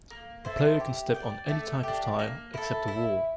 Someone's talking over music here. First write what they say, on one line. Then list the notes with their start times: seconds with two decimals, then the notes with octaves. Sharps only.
The player can step on any type of tile except a wall.
0.11 A#3
0.45 E4 A4 C5
0.80 G4
1.14 D5 G5
1.49 A3
1.83 D4 G4
2.19 A#3
2.54 E4 A4
2.88 E4